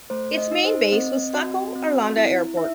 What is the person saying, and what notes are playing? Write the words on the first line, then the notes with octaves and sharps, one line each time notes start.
Its main base was Stockholm-Arlanda Airport.
A3 C5
D#5
D#4
C5
C4 D#5
F#4
C4
E4
D#4 E5